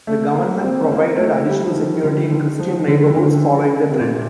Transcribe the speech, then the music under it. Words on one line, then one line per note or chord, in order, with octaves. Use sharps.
The government provided additional security in Christian neighborhoods following the threat.
A3
A#3
C4
A#3
A3
G3
F3
D#3
D3
D#3
F3
D3
D#3
D3
C3
A#2